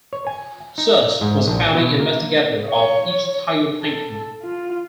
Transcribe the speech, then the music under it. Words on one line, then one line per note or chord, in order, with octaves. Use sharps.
Sars was a founding investigator of ichthyoplankton.
C#5
G#5
D#4
G#2
A#1
B2
A#3
C#5
A4
F4